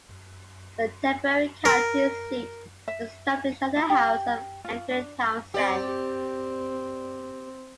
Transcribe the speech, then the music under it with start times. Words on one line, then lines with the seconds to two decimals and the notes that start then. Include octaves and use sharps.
The temporary county seat was established at the house of Andrew Townsend.
1.65 A#4
2.88 E5
3.76 E4
3.90 G4
4.65 F4
4.91 D4
5.54 C4 G4 D5